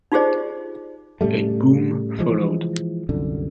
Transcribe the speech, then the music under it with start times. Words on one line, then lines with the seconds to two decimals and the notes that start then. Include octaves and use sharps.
A boom followed.
0.12 D#4 F4 G4 G#4 C5 D5
1.21 A2 C#3 G3 A3
2.19 E3 F3 G#3
3.09 C2 F#2 D3